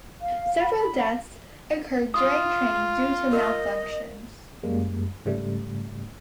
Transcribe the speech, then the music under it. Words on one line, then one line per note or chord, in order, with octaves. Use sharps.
Several deaths occurred during training due to malfunctions.
F5
B5
F4 D#6
A#4 D#5
F#2 G3 G#3 A#3
G#2 C#3 G3 A3